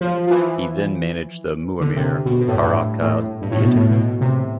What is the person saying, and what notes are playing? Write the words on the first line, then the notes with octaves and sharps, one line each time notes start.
He then managed the Muammer Karaca theatre.
F3
F3
E3
D3
C3
B2
B2
A2
G2
A2
A2
G2
A2
B2
A2
B2
C3